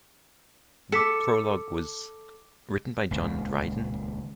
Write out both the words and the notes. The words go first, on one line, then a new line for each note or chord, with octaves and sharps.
The prologue was written by John Dryden.
A4 D6 B6 C#7
D#1 C#2